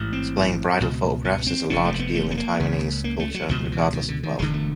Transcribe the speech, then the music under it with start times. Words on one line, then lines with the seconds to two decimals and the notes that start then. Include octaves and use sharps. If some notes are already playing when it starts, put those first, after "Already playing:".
Displaying bridal photographs is a large deal in Taiwanese culture, regardless of wealth.
Already playing: A1 G#2
0.13 C4
0.80 C#2 B2
1.25 B3
1.47 C4
1.70 F1 F2 C3 C#4
1.85 A3
1.99 B3
2.15 A3
2.31 B3
2.37 A#3
2.60 C#2 C#3
3.04 A#3
3.20 A3
3.35 F#3
3.49 C#2 B2 F3
3.72 E3
3.94 D#3
4.09 D3
4.23 D#3
4.39 E1 D2 D3 G#3
4.54 A3